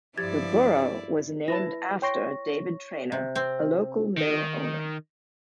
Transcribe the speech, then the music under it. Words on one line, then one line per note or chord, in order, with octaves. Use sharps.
The borough was named after David Trainer, a local mill owner.
G2 F3 E4 G4 D5 G#6 A6
E4 B4 A5 A#6
C#5 G5 C6 C#6 A#6
C3
C4
D#3